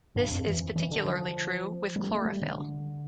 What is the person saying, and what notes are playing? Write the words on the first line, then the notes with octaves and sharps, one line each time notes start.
This is particularly true with "Chlorophylle".
G2
F2
E3
E3
D3
F3
G3
A3
G3
D3